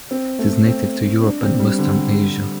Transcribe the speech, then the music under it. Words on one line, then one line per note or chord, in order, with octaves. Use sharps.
It is native to Europe and western Asia.
C4
A3
C4
D4
C4
G3
D3